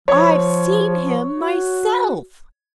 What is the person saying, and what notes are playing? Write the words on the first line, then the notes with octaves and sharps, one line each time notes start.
"I've seen him myself!"
F3 C#5
F#4